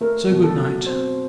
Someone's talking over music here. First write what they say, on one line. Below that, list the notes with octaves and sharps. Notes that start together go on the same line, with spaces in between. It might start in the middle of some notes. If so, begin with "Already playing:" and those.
So good night.
A3 A#4
B2
A4
F#3
C4